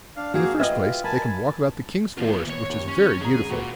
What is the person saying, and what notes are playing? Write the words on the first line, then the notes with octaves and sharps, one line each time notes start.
"In the first place, they can walk about the king's forest, which is very beautiful."
D4 F5
A#3 F#4 G#4 F5
F4 B4 D#5 E5 G5
A#4 G#5 A5 B5
A#2 E3 B3 F4
C#5
D#2
C#4
G#1 G#4 A#5
A#2 F#4 B4